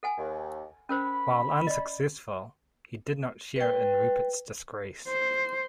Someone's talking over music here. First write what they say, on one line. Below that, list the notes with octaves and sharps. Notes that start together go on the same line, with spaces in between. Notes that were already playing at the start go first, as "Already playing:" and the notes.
While unsuccessful, he did not share in Rupert's disgrace.
A4 F#5 G#5
D#2
C#4 A#4 C5 B5
D5 D#5
B4 G5
C5